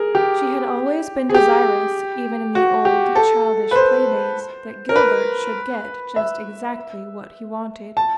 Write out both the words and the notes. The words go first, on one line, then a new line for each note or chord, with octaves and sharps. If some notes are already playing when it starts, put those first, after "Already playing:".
She had always been desirous, even in the old, childish play-days, that Gilbert should get just exactly what he wanted.
Already playing: G#4 A#4
G4
G#4
G4
F#4
G4
A4
B4
C5
A#4
B4
E5
A5